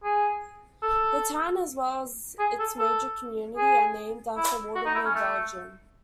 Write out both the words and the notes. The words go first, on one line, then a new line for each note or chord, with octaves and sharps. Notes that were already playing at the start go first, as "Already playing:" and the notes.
The town, as well as its major community, are named after Waterloo, Belgium.
G#4
A4
G#4
A4
A4
G#4
E4
F#4
D#4
E4
C#4
A3